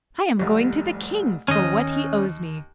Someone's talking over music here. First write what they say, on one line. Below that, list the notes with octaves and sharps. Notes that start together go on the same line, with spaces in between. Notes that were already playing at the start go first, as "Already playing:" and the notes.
'I am going to the King for what he owes me.'
F1 C2 G3
D#2 D#3 C#4 D#5